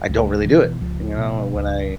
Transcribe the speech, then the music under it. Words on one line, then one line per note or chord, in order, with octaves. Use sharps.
I don't really do it, you know, when I
C#2 G#3
G#3
B2 E3
E3
C#2 F3
B2
C#2